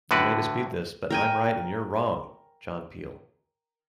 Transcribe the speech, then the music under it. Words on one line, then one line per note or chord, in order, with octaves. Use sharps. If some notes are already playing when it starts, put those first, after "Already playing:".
You may dispute this, but I'm right and you're wrong! John Peel.
A2 D3 F#4 B4 D5
A#4 G5 G#5